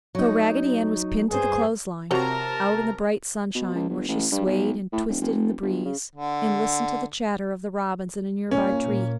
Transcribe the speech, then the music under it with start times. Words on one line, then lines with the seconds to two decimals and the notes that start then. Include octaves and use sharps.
So Raggedy Ann was pinned to the clothes-line, out in the bright sunshine, where she swayed and twisted in the breeze and listened to the chatter of the robins in a nearby tree.
0.15 F#3 D#4
1.30 G2 G#4 C5
2.11 C3 F3 F#4 A#4 C#5 A5 A#5
3.55 B2
3.74 C#2
3.89 G1
4.08 A1
4.32 G2
4.46 B1
4.92 A2
5.09 E1
5.21 F1
5.62 G1
5.85 C#3
6.15 D3
8.51 A#2 A#3 C#4